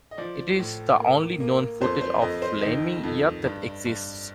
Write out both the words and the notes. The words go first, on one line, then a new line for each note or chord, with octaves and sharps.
It is the only known footage of Flaming Youth that exists.
D#5
F3 D5
A2
A#3
A#3
F2 C5
C5
F2 D#5
C5
D#3 D#5
F2
G2
G2